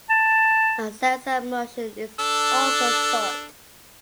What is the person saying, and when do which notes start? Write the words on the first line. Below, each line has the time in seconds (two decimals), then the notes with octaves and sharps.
A sense of motion is also sought.
0.10 A5
2.19 D4 A4